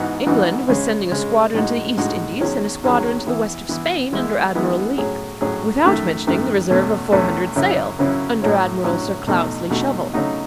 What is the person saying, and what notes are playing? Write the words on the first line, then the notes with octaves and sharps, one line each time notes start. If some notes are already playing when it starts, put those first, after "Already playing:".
England was sending a squadron to the East Indies, and a squadron to the West of Spain under Admiral Leake, without mentioning the reserve of four hundred sail, under Admiral Sir Cloudesley Shovel.
Already playing: G#2 E3 B3 D#4 F#4
G#2 E3 B3 D#4 F#4
C#3 G#3 C#4 G#4
C#3 G#3 C#4 G#4
A2 G#3 D#4 F#4
A2 G#3 D#4 F#4
E2 D#3 F#3 C#4 G#4
E2 D#3 F#3 C#4 G#4
E3 B3 E4
E3 B3 E4
E3 G#3 B3 E4
E3 G#3 B3 E4
A2 F#3 C#4 G#4
A2 F#3 C#4 G#4
F#2 D#3 A3
F#2 D#3 A3
E2 B2 A3 C#4
E2 B2 A3 C#4
F#2 C#3 F#3 C#4 E4
F#2 C#3 F#3 C#4 E4
A2 F#3 C#4 E4
A2 F#3 C#4 E4
E2 B2 A3 D#4 F#4
E2 B2 A3 D#4 F#4
C#3 F#3 A3 D#4 F#4